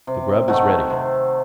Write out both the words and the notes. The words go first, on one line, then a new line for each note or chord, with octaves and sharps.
The grub is ready.
C3
D#3 A3 F#5
C3